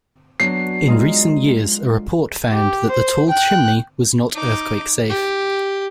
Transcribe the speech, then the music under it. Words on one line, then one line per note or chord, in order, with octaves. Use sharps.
In recent years a report found that the tall chimney was not earthquake-safe.
F#3 B3 D4 C7
G#3 D#4 F4
G4
C5
G5 F#6
D#4 D6
G4